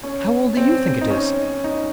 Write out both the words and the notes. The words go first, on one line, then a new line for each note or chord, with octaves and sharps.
"How old do YOU think it is?"
C#4
C4
D#4
C#4
D#4